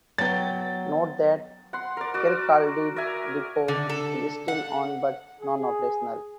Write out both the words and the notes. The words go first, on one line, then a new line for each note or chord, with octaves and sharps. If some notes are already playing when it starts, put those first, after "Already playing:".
Note that Kirkcaldy depot is still owned but non-operational.
F#3 B3 G5 A6
F#5 C6
A#4 D5
F#4 D5
A#4 D5 E5 G#5
D3
A4
F#5
G#4